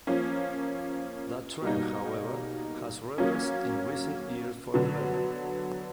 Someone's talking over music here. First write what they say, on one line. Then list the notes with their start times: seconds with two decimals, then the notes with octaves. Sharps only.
That trend, however, has reversed in recent years for the better.
0.07 F3 A#3 C#4
1.62 B2 G3 A#3 D#4
3.18 F#3 A#3 C#4
4.74 D3 F#3 B3